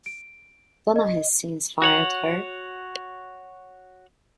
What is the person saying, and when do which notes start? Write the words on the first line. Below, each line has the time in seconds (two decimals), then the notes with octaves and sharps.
Donna has since fired her.
0.06 D7
0.96 D#5
1.82 F#4 C#5 F#5